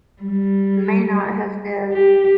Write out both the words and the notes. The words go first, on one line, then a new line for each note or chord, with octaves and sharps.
may not have been
G3
G4